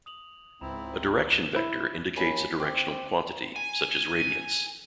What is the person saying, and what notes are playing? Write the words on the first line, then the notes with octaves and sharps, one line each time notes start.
A direction vector indicates a directional quantity, such as Radiance.
D#6 F7 F#7
C#2 G#2 C4 E4 A#5 B5
E4
D#2 G#5 A5 B5
C4 D5
G#5